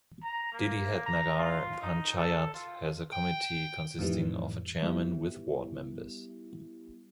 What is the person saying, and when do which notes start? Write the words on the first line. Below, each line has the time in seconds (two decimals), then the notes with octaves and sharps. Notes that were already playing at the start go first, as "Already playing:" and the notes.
Didihat Nagar Panchayat has a committee consisting of a chairman with ward members.
0.23 A#5
0.52 A#3
1.06 A#5
1.38 F4
1.82 D#4
2.17 A4
2.54 F4
3.12 G5
3.43 G5
3.99 F2 A2 D#3 E3 G3
4.83 G3 B3 E4 G4